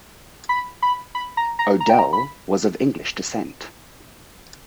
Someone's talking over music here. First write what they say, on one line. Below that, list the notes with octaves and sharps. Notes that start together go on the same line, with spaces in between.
Odell was of English descent.
B5
B5
B5
A#5
A#5
A#5
G5
A#5
B5